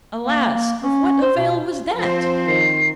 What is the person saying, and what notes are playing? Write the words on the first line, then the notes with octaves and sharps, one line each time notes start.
Alas! of what avail was that?
A#3
A#3
C#4
C5
B2
F3 C4 C5
D#3 C7